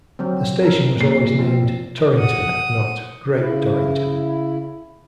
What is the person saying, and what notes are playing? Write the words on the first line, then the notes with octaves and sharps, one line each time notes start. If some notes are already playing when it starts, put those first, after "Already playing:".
The station was always named 'Torrington', not 'Great Torrington'.
D3 F#3 C4
F3 A4 A#4
A#2 C7
F3 C4 F4
F#5 D#6
C#3 E4